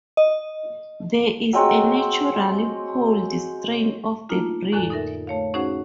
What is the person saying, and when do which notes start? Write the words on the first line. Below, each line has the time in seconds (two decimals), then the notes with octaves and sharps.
There is a naturally polled strain of the breed.
0.17 D#5
1.53 F#3 G#3 C4 F#4
4.29 A3 A#3 D4 D#4 F4
4.72 F2 A2 D3 A4 G#5 F#6
4.90 D#4 A4 A#4 E5
5.27 A3 C#5 F5
5.54 C#4 D#4 F#4 G#4 C5 F#5